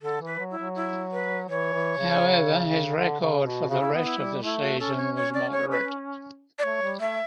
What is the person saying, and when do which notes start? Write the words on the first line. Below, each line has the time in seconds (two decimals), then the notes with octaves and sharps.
However, his record for the rest of the season was moderate.
0.02 D3 A4
0.20 E3
0.26 B4
0.39 F#3
0.51 E4
0.58 F#3
0.76 E4
1.12 B4
1.48 E3 C#5
1.73 E3
1.98 C#3
2.96 D3
3.20 C#3
3.45 B2
3.69 C#3 F#4
3.80 E4
3.94 B3
4.02 E4
4.18 G3
4.43 A3 E4
4.62 F#4
4.79 C#4 A4
4.97 C#5
5.16 C#5
5.34 D5
5.52 C#5
5.72 B4
6.59 D5
6.63 A3 C#5
6.82 G3
6.99 A3 E5